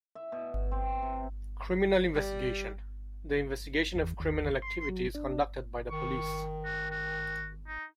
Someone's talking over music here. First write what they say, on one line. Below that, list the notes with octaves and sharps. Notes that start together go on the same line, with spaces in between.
Criminal investigation: the investigation of criminal activity is conducted by the police.
E5
B2
C4
C3
G3
E2
D#2
C6
F#3
D4
D#3 C#6
F#4
F#4
D#4